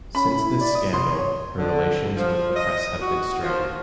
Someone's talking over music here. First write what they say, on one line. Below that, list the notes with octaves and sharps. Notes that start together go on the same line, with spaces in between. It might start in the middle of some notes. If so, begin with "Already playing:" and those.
Since this scandal, her relations with the press have been strained.
C#4 B5
E4
D5
D#6
C3 C6
C#5
D3
F3
D#5
F#4
F3